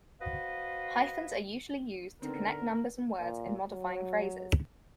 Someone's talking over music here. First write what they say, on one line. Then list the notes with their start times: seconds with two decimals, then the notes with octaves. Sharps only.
Hyphens are usually used to connect numbers and words in modifying phrases.
0.20 F#4 B4 C5 D#5 F5
2.22 D3 D#3 B3 C4 A#4
3.19 A#2
3.70 F#3